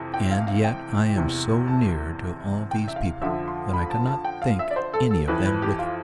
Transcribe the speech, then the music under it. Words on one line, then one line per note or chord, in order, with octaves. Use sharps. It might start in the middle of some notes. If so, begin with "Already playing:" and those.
And yet I am so near to all these people that I cannot think any of them wicked.
Already playing: F2 C3 E3
G5
F5
F5
G5
E2 C3 E3
A5
G5
E5
F5
F2 D3 F3 E5
C6
B5
A5
A5
G5
F5
E5
D5
C5
A4
A4
F2 E3 B4
B4
G4
F4